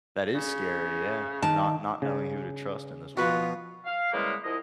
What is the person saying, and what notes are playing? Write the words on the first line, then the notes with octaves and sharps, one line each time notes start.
That is scary. Yeah. Not not knowing who to trust in this world.
C#3
D#3 A5
C#3
B2 F3 F4 F#4 B4
F5
C#3 E3 G3 G#3 A#3 B3
C2 F3 E4 D#5